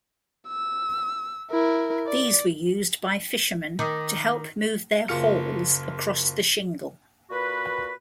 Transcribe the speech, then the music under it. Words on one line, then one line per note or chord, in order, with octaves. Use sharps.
These were used by fishermen to help move their hauls across the shingle.
E6
E4 A#4
D5
D#3 A#5 D6 D#6
F#1 A#3 F4 F6 C#7
A#2 F#4 B4